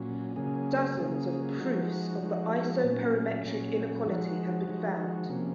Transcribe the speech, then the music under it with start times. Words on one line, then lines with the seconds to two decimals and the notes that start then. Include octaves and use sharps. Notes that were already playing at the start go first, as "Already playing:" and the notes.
Dozens of proofs of the isoperimetric inequality have been found.
Already playing: A#2 F#3 C#4
0.36 C#3 F#3 A#3 C#4 G#4
0.98 C#3 F#3 A#3 C#4 G#4
1.59 F3 G#3 D#4 F#4
2.22 F3 G#3 D#4 F#4
2.83 A#2 F#3 C#4
3.44 A#2 F#3 C#4
4.06 F3 G#3 D#4 F#4
4.68 F3 G#3 D#4 F#4
5.29 C3 F3 A#3 C#4